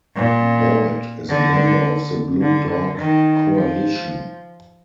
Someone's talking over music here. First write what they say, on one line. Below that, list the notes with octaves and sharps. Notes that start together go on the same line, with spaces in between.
Boyd is a member of the Blue Dog Coalition.
A#2
D3
D3
D3
D#3
F3